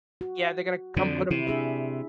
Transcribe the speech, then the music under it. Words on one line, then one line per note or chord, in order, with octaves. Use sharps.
Yeah, they're gonna come put him
F#4
F2 D3
C3 E4
D4 G#4 E5